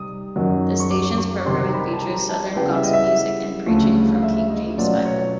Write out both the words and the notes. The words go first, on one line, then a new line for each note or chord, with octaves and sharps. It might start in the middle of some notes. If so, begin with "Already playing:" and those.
The station's programming features Southern gospel music and preaching from the King James Bible.
Already playing: C3 G3 D#4 D#6
F#2 D#3 F#3
C#6
D6
D6
C#6
C3 D#3 G3 C4 C6
A#5
B5
A5
A#5
A5
C#3 E3 G3 B3 G5
E5
D#5
E5
D2 C#3 F3 A3
F5
E5
D#5
B2 F#3 A3 C#4 F4 D5
C#5